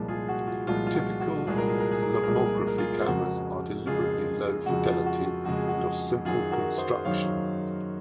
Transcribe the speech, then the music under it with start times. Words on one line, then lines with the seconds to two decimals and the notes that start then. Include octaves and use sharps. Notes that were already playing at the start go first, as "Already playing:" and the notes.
Typical Lomography cameras are deliberately low-fidelity and of simple construction.
Already playing: C2 A#2 F3 G#3
0.08 F4 G#4
0.29 F#4
0.47 F4
0.67 C2 A#2 F3 G#3 F4
0.87 F4
0.94 F#4
1.20 F#4
1.47 C2 A#2 F3 G#3 G#4
1.58 A#4
1.69 G#4
1.80 A#4
1.91 G#4
2.02 A#4
2.13 G#4
2.23 C2 A#2 F3 G#3 A#4
2.35 G#4
2.46 A#4
2.57 G#4
2.67 A#4
2.78 F4 G#4
3.01 C5
3.07 F2 C#3 G#3 F#4 A#4
3.86 F2 C#3 G#3 F4 G#4
4.66 F2 C#3 G#3 F#4
4.86 F4
5.06 F#4
5.25 F#4
5.45 F2 C#3 G#3 F#4
5.57 G#4
5.68 F#4
6.25 F#2 D#3 F#3 F4 G#4
6.51 F#4 A#4
6.78 G#4 C5
7.05 F#2 D#3 F#3 C#5 F5